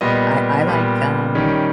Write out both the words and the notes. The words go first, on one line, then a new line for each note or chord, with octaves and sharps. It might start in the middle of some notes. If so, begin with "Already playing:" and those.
I I like, um
A#2 G3 B3 D#5
A#2 G3 B3
D#3 G3 C#4